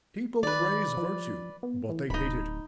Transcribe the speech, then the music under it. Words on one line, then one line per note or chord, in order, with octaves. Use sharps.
People praise virtue, but they hate it.
D#3 B4 D5
F3
B3
E3
D1 D#4 B5